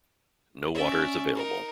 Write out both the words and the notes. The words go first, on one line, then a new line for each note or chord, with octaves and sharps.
No water is available.
C#4 D5 E5
D#4 A#4